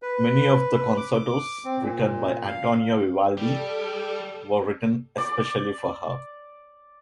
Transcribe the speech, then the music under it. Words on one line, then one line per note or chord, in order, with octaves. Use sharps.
Many of the concertos written by Antonio Vivaldi were written especially for her.
B4
D6
C4
A#2
F5
G3 A4
D5 D6